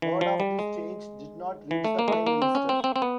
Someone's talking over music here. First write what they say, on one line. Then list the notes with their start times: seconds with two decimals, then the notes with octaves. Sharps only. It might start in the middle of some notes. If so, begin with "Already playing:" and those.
Word of this change did not reach the Prime Minister.
0.02 E3
0.21 F3
0.40 G3
0.59 G#3
1.71 E3
1.85 A3
1.99 A#3
2.08 G#3
2.12 A3
2.27 A#3
2.42 C4
2.55 C#4
2.69 C4
2.84 C4
2.96 C4
3.02 B3